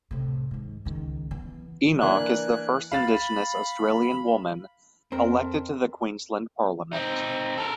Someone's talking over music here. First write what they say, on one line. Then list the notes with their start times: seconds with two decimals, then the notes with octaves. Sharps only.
Enoch is the first Indigenous Australian woman elected to the Queensland parliament.
0.11 A2 C3
0.51 G#2 D#3
0.85 C#2 D#3
1.31 E3 B3
2.01 E3 A#3 D4 F#6
2.92 F5 B5 A6
5.12 F2 C4 A#4
6.93 C4 D#4
7.57 A4 A#4